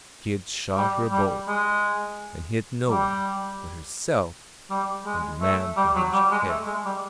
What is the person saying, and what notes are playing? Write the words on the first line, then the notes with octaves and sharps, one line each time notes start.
She had shot her bolt and hit no one but herself and the man for whom she cared.
G3
G3
G#3
G3
G3
G#3
A3
G3
F#3
G3
G#3
A3
G#3
G3